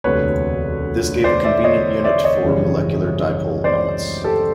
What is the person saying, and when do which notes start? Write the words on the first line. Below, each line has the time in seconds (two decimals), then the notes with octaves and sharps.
This gave a convenient unit for molecular dipole moments.
0.04 E1 D2 C3 B4 C#5
1.24 C5 D5
1.44 D5 E5
1.64 C#5 D#5
2.04 D5 E5
2.24 C#5 D#5
2.44 G#1 F#2 C#3 E3 G3
3.64 C5 D5
4.24 G4 A4